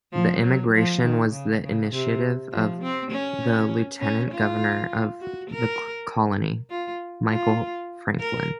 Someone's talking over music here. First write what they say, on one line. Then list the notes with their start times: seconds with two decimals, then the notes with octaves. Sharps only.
The immigration was the initiative of the Lieutenant Governor of the colony, Michael Francklin.
0.13 F3
0.42 F#3
0.73 F3
1.02 D#3
1.32 C#3
1.63 C#3
1.93 C3
2.52 F3
2.82 C4
3.11 C#4
4.01 C#4
4.31 F4
5.21 F#4
5.50 A#4
6.70 F4
7.29 F4
8.20 A#4